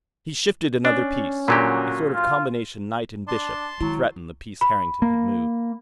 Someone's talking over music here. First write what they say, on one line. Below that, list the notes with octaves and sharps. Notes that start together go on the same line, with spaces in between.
He shifted another piece, a sort of combination knight and bishop, to threaten the piece Harrington had moved.
C#4 D4
A#2 D3 F#3 F#4 G4
F4
D4 A5 C6
D#3 F#3 G#3 E4
B5
A#3